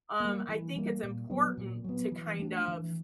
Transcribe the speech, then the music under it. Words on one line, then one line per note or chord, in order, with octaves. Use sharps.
um, I think it's important to kind of
G3 A#3
E3
G3 A#3
A#2
F#3 B3
A#2
F#3 B3
E3
A3 D4
E3